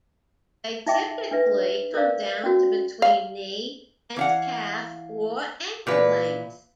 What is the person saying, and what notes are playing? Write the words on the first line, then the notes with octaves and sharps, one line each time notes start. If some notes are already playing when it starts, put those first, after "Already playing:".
They typically come down to between knee and calf or ankle length.
D#4 D#5 E5 G5 D6
D4 B4 E5
A#4 C5 D5 F5
C#4 F#4
F5
E3 F5 F#5
A#2 E3 B4